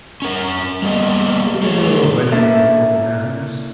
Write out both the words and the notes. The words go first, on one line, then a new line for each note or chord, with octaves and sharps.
What do you know of elegance or manners!
C#4 A#4
G3 A#3 B3 D#5
A3 G#4 C#5
A#3 C#4 D4 E4 A4